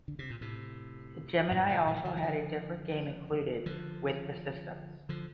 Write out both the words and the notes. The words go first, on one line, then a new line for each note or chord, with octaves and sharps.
The Gemini also had a different game included with the system.
D3
C3
A#2
A2 C3
G2 A#2
A#2 D3
A#2 D3
E3
D3 F3
G3
D3 F3
D3 F3
D3 F3